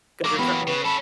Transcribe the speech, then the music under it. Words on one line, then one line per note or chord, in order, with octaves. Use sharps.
'Cause you're, tr
F#3 A#3 D6
E3 B3 G4 B5
C#3 B4
C#4 A4 A5 B5